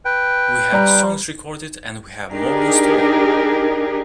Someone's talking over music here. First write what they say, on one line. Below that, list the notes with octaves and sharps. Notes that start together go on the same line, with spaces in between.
We have songs recorded and we have more in store.
B4 G5
G3 A#5
D4 D#4 G4 G#4 A#4